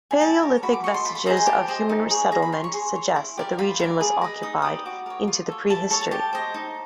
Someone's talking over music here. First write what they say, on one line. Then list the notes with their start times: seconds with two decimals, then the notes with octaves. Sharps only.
Paleolithic vestiges of human settlement suggest that the region was occupied into the pre-history.
0.11 G#5
0.20 G4 A5
0.42 A#4 C#5
0.63 F#4 B5
0.73 D6
0.84 A4 C5 D#5 C#6
0.94 C6
1.05 F4 B5
1.15 B5
1.26 G#4 C5 D#5 A#5
1.37 G#5
1.47 G4 A5
1.68 C5 D#5
1.89 D#4
2.11 G#4 C#5
2.32 G#4 A#5
2.42 B5
2.52 C#5 C6
2.64 C#6
2.74 G#4 C6
2.95 C#5
3.16 E4
3.37 G4 A#4 D5
3.58 F4 B5
3.80 A#4 D5
4.01 G#4
4.22 B4 D#5
4.43 D#4 D#6
4.62 G4 B4 D5 D#6
4.85 F#4 D6
5.06 A#4 C#5
5.28 F4
5.48 A4 C#5
5.69 E4 A5
5.90 A4 C#5 A5
6.01 A5
6.11 G4 A5
6.33 C5 D#5
6.54 D#4